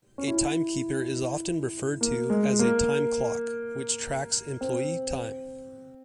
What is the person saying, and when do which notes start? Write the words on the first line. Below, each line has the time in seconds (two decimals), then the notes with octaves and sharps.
A timekeeper is often referred to as a time clock, which tracks employee time.
0.18 C#4
0.28 E4
2.01 A#3
2.30 G#3
2.59 A#3
4.61 C4